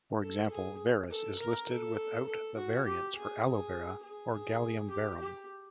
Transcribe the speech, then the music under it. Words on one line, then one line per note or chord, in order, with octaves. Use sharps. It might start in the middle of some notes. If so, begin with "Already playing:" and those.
For example, "verus" is listed without the variants for "Aloe vera" or "Galium verum".
A4
G#4
A4
A#4
A4
A4
F#4
G4
G#4
G#4
G#4
G#4
G4
G4